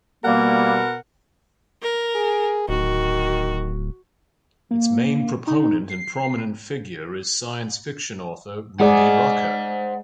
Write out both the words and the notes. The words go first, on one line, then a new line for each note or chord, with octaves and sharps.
Its main proponent and prominent figure is science fiction author Rudy Rucker.
B2 G3 A#3 A#4 F#5
A#4
G#4
D1 D#3 F#4
A#3
D#4
C7
G#3 G#4 C5 D5 F#5